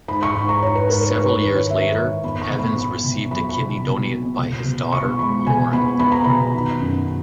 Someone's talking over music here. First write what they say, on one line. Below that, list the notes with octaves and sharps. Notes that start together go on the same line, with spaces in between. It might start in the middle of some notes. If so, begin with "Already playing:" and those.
Several years later, Evans received a kidney donated by his daughter, Lauren.
G#2 B5
C#6
G#2
A#5
G#2 C#5
B4
G#2 A#4
B4
G#2 B4
C#5
D#3 B4
C#5
G#2 E5
G#2
B3 B5
C#6
B2
B5
B3 B5
B2
F#3 B5
B5
B2
B2
B3
B2
B2
B2 C#6
G#3 B5
B2 G#5
B3 B5
B3 B5
A#5
B2 B5
D#3
F#2